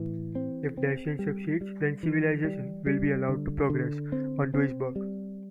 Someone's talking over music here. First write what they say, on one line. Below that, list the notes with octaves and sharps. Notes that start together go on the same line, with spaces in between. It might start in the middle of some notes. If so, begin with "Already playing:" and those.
If Dashian succeeds, then civilization will be allowed to progress on Duisberg.
Already playing: A2 E3
C4
C4
G3
G3
E3
G3
G3
D3
D3
C4
C4
G3